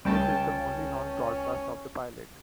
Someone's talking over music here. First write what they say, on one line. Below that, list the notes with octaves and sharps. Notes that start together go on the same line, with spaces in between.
This is the only known broadcast of the pilot.
C#2 G3 A3 C#4 G5 A5 A6